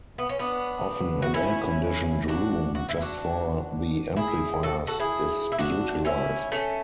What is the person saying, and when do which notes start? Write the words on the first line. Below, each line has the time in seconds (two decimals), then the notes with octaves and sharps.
Often an air conditioned room just for the amplifiers is utilised.
0.18 B3
0.29 C#4
0.39 B3 D4
1.22 F#4
1.34 C#4 E4
2.28 D4 F#4
2.75 F#4
2.89 E4
3.01 D4 F#4
4.16 E4 G#4
4.63 F#4 A4
4.87 F#4 A4
5.00 E4 G#4
5.52 E4
5.58 D4 F#4
6.05 C#4 E4
6.52 A3 C#4